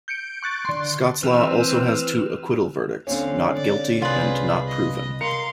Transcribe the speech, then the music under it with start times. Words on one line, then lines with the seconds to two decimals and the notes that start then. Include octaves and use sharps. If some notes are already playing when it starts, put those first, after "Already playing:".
Scots law has two acquittal verdicts: "not guilty" and "not proven".
0.08 G6 C#7 D7
0.42 C#6 F#6 A6 D7
0.65 D3 C6
1.23 E3 C4 B4 E6 F6
3.07 D3 C4 C#4 F5
3.56 D5
4.02 C2 F4 G#4 B4 C5 D5
4.68 D#5
5.21 A#4 F5 C6 C#7